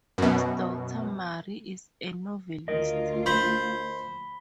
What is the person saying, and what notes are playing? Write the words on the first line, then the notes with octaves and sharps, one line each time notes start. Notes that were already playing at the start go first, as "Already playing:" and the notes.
His daughter Marie is a novelist.
F#2 B2
D2 F4 A#4 D#5
C5 B5 B6 G7